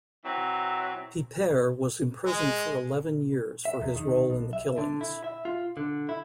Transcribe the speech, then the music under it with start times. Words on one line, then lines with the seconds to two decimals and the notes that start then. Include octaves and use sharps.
Peiper was imprisoned for eleven years for his role in the killings.
0.24 E3 F#3 C4
2.27 G#3
3.65 E5
3.81 E2
3.96 D#3
4.30 B1
4.53 E5
4.78 D3
5.01 E4
5.24 E5
5.45 F4
5.77 D3
6.09 E4